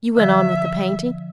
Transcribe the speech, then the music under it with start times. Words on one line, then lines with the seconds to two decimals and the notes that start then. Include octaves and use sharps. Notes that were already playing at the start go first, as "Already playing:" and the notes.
You went on with the painting?'
0.17 D3 F3 E5